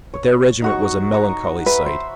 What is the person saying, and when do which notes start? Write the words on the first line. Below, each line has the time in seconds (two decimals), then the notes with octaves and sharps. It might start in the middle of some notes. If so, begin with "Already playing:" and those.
But their regiment was a melancholy sight.
0.14 C#5
0.62 D#4 F#4 C#6
1.12 A#5 C#6
1.66 B4 E5 B5
1.86 C5